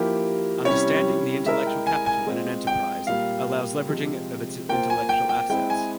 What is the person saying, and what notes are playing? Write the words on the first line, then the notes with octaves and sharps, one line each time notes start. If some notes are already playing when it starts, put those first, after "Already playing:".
Understanding the intellectual capital in an enterprise allows leveraging of its intellectual assets.
Already playing: F3 A#3 E4 G4 A#4
C3 G3 C#4 E4 C#5
G#3 E4 A#4 E5
G5
G#5
G#5
G#3 C4 F4
G5
A#2 G3 A#3 F5
C3 F3 G#3 C4
A#3 F4 C5 G5
G#5
G5
G5
G#3 C4 E4 G5
G#5